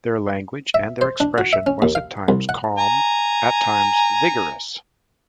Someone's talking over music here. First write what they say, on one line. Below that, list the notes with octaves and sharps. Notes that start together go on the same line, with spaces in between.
Their language and their expression was at times calm, at times vigorous.
E5
C5
D4
F#4
E5
C#4
D#2
F5
C2
F#5
G#5 A#5